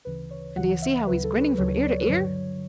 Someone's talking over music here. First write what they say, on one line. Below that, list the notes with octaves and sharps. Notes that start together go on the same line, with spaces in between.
And do you see how he's grinning from ear to ear?
D2 C#3 E3 B4
C#5
D2 C#3 E3 F#5
E5
D2 C#3 F#3 B4
A4
B4
D2 C#3 F#3 C#5
D5
C#5
B4
G2 D3 F#3 C#5